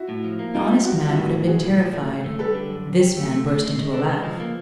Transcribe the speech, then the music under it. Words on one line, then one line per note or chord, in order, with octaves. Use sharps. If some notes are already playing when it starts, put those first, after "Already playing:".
An honest man would have been terrified; this man burst into a laugh.
Already playing: E4 F#4
A2
F3
A#3
G3 D#4 F4
G3
G3 F#4
G3 F4
E4 F#4
A2
B1
B1 F#4 G#4
A2
F3
A3
G#2
A3
G3 A4 B4
D3
F#2
F#2
G4
A3
A3
A3
G#3
G#3
D4 A4 B4
G#3
F3
A#3